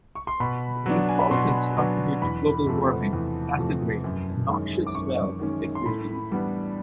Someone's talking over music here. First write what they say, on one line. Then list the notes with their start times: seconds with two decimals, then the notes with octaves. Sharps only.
These pollutants contribute to global warming, acid rain, and noxious smells if released.
0.15 C#6
0.27 C6
0.40 B2 B5
0.86 F#3 B3 D4
1.09 G#5
1.20 B5
1.31 B2 C6
1.77 F#3 B3 D4
2.22 E2 B5
2.67 C3 F3 A3
3.13 E2
3.59 C3 F3 A3
4.04 F#2
4.49 D#3 G#3 C#4
4.87 D6
4.95 F#2 C#6
5.40 D#3 G#3 C#4
5.75 C6
5.86 A2 B5
6.31 E3 G3 B3 D4